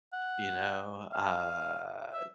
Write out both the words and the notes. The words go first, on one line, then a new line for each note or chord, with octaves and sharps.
you know, uh,
F#5
F5
E5